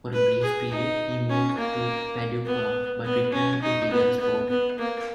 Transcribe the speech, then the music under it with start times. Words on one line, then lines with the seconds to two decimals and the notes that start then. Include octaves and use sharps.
For a brief period, he moved to Paducah, but returned to Williamsport.
0.13 B4
0.42 G#4
0.72 D#4
1.29 C#4
1.58 A#3
2.45 B3
3.04 B3
3.33 C#4
3.62 D#4
3.91 B3
4.20 B3
4.49 B3
4.79 A#3